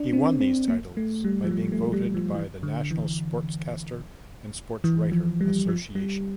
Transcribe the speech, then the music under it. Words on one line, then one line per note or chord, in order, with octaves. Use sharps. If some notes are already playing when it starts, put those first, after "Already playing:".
He won these titles by being voted by the National Sportscaster and Sportswriter Association.
Already playing: D4
C4
C4
A#3
A3
G3
F3
G3
A3
G3
F3
E3
D3
E3
E3
F3
G3
F3
G3